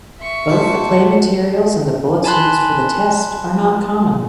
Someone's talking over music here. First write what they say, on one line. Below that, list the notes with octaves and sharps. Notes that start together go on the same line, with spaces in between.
Both the clay materials and the bullets used for the test are not common.
E5 C#6
B2 D4 C5
G#5 A5 B5 C6 F#6